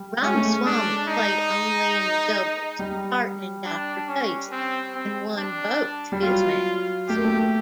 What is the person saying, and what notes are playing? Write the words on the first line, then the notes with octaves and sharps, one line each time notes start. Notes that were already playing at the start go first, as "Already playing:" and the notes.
Ramaswami played only in the doubles partnering Doctor Fayzee and won both his matches.
Already playing: G3
G#3 C#4
A3
G#3
D4
D#4
G3
D4
C#4
C4
C4
D4
G3
F#3 F4
A3 G4
A#3
A3